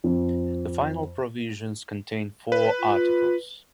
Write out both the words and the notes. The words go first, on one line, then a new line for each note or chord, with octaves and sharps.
The final provisions contain four Articles.
F2
B4
F4